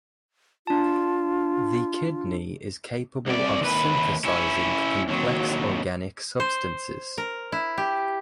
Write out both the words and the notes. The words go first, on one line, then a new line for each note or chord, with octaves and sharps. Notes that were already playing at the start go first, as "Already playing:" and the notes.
The kidney is capable of synthesizing complex organic substances.
D4 F4 A5
C2 D5
D#2 B4
C#4 E4
D#2 F#3
C5
A#4
E4
G4